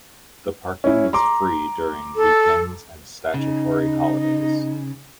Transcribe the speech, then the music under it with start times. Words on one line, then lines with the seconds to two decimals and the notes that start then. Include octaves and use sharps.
The parking is free during weekends and statutory holidays.
0.84 C#4 E4
1.13 A#5 C6 D6
2.16 A4
3.34 C#3 D#4